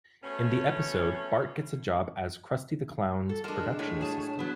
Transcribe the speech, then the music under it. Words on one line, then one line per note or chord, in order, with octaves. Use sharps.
In the episode, Bart gets a job as Krusty the Clown's production assistant.
B2 A3 C#4
A4
G#3 D4 A#4 A5
A2 C#5 G#5
G#4 A5
F#3 B3